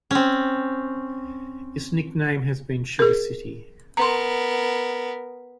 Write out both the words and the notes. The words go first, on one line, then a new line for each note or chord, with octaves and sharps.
Its nickname has been "Sugar City".
C4 C#4
G#4 A#4
B3 A#4 A#5 C6